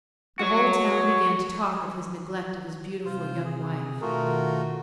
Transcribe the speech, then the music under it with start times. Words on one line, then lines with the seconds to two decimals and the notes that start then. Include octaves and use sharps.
The whole town began to talk of his neglect of his beautiful young wife.
0.39 F#4 C#5
3.05 C3 F4 C5
3.45 G#4
4.02 B2 D#3 A3 F4 F#4 A#4